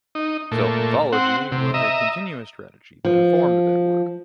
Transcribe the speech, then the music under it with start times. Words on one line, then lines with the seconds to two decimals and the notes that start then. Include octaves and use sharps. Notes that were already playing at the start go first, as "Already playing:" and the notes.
Self-mythology was a continuous strategy that informed their work.
0.15 D#4
0.51 A#2 A3
1.12 C4 F#5
1.52 C3
1.74 D#5 E5 A#5
3.05 F3